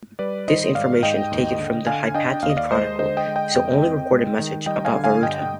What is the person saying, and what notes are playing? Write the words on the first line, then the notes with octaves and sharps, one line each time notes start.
This information, taken from the Hypatian Chronicle, is the only recorded message about Voruta.
G3 B4 D5
D#3 C5 D#5
G#2 D5 F5
G#2 D#5 G5
D#2
D3
D3 F5 G#5
D4 D#5 G5
D#2 F5
D#5
D5 F5
G#3 C5 D#5
D3 C5 D#5
D#5 G5
G#3
D#5 G5
F2
C4
G#3
D#3
G3 D#5 G5
F5 G#5
D3
F5 G#5
G2 D#5 G5